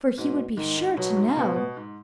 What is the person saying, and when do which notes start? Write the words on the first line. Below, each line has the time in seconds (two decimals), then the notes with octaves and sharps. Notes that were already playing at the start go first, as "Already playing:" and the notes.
For he would be sure to know.'
0.17 G#2 B2
0.56 G#2 D#3
0.77 G#2
0.97 B2 F#3
1.17 G#2
1.29 C#3
1.37 B2 B3
1.56 B2
1.77 G#2